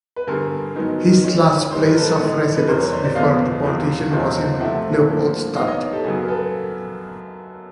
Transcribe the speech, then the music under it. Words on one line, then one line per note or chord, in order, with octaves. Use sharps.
His last place of residence before deportation was in Leopoldstadt.
B4
G2 D3 G3 G#4 A#4
G#2 D#3 F#3 B3 D#4
D#3 G#3 C#4
G#2 E3 G3 C5
B4
A#4
A4 B4
G#2 E3 G#3
B4
E2 C3 E3 A#4 C5
B4 C#5
C5 D5
C5 D5
E2 C#3 F3 G#3 B3 D#5 F5
E2 C3 F3
E2 C3 F3 G#3 C4
C3 F3 A3 E5 F#5
A2 F3 A#3 D4
D#3 G#3 B3 D#5 F5
C#5 D#5
G4 A4
F#2 C#3 F#3 B3 F#4 G#4
A#4
A4 B4